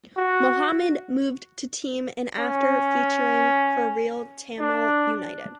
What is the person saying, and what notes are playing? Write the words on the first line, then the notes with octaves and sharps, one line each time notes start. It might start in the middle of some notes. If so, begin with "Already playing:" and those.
Mohammed moved to team in after featuring for Real Tamale United.
F#4
C#4
D4